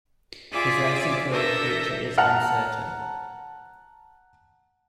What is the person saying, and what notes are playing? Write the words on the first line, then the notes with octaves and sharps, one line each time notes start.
His racing career future is uncertain.
F4 G#4 D5 E5 D6
D4 A4 A#4 E5 G6 A#6
F#5 A5 A#5 F6